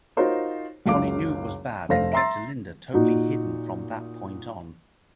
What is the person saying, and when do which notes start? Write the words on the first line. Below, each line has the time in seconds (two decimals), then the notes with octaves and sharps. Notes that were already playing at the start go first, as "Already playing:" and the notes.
Johnny knew it was bad and kept Linda totally hidden from that point on.
0.17 D#4 F4 F#4 A#4 C5 C#5
0.86 F#1 C#2 F#2 F5 D6
1.89 F1 A3 C5 F5 A#6
2.13 E5 A#5 C6 E6 A6
2.94 A#2 D#4 F#4